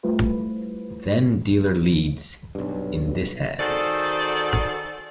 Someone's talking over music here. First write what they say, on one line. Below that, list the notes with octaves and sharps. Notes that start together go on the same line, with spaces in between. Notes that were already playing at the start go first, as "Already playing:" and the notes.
Then dealer leads in this hand.
G3 A3 E4 F4 B4 C5
B1 G2
D#3 F#4 G#4 A4 C5 D5